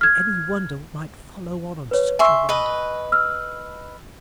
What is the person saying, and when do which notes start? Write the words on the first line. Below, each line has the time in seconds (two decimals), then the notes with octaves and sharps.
Any wonder might follow on such a wonder.
0.01 F6 G#6
1.91 B4 C#5
2.19 E5 G#5 C6 C#6 E6
2.49 B4 D#5
3.12 E6 F6